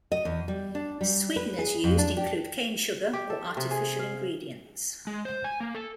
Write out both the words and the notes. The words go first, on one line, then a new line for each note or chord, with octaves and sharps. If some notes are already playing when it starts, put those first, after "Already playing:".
Sweeteners used include cane sugar or artificial ingredients.
D#5
E2
G3
D4
G3
B4
G#4
F2
D4
G4
G4
A4
C3
G#4
F5
G#3
C5
G#5
A#3
A4